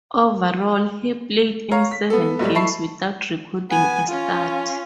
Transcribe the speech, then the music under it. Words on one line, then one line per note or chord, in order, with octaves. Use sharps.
Overall, he played in seven games without recording a stat.
C#5 F5 A#5
B6
B3 A4
G#2 F#3 G3 A3
E4 A5 B5 C#6 C7
B3 G#5
C#4 F4